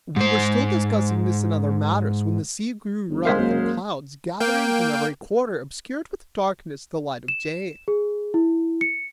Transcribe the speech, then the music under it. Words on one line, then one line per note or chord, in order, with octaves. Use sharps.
We were still discussing this and other matters when the sea grew rough, and clouds, gathering from every quarter, obscured with darkness the light of day.
G#2 C5
G1
G#3 A#4 C5 F5 B6
F#2 A#3
A#3 G5
E7
G#4
E4
C#7